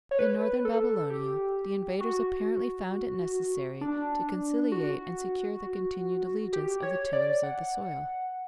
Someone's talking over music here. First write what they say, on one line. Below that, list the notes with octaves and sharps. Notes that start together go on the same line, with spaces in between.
In northern Babylonia the invaders apparently found it necessary to conciliate and secure the continued allegiance of the tillers of the soil.
C#5
B4
A4
G4
F#4
D4
F#4
G4
C#5
D5
F#5